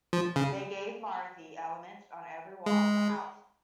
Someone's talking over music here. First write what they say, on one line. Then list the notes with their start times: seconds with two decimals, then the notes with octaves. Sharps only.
They gave Marathi elements on every wall of the house.
0.13 F3
0.36 C#3
2.66 G#3